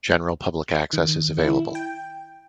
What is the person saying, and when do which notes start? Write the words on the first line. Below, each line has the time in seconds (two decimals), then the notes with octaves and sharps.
General public access is available.
0.93 D#3
1.39 E4
1.75 G5